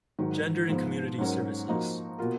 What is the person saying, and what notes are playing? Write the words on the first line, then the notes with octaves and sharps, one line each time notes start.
Gender and Community Services.
G#2 D#3 F#3
G#2 F3 B3
G#2 F#3 C#4 F#4 A#4
F3 A#3 D#4 F#4
B2 A#3 F4 A#4